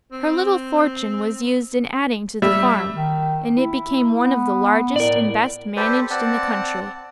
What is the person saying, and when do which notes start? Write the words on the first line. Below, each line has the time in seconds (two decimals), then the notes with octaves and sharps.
Her little fortune was used in adding to the farm, and it became one of the largest and best managed in the country.
0.12 C4
2.42 G3 E5
2.95 D#3
3.57 E4
4.21 B3
4.96 A2 A#4 D5
5.77 G4 A4 B4 C5 D5
6.10 C4 D5 F#5 A5